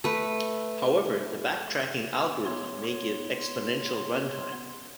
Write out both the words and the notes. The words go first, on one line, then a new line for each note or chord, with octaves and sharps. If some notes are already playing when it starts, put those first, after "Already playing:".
However, the backtracking algorithm may give exponential runtime.
A3 B4
B3 C#5 C6